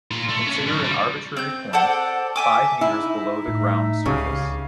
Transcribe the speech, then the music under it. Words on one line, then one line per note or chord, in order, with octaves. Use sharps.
Consider an arbitrary point five meters below the ground surface.
A#2 F4
A3
C#4 D4
D3 F#3
G3
C4 G6
A4 C5 D5 F#5
E5 G#5 D6
D#4 E4 E5
A2
C#2 C#3 G4 D#5 F5